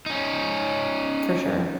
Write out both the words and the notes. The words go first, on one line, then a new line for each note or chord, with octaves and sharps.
for sure.
C#4 D#4